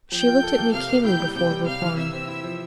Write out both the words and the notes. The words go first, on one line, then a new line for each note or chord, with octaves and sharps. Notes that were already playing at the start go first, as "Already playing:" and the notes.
She looked at me keenly before replying.
F3 G5 G6
F4
A4
A#3
C3 F5 F6
A#3
E4 G5 G6
G3
C3 G5 G6
G3
C3 F5 F6
E3
C3 E5 E6
C4
E4
F3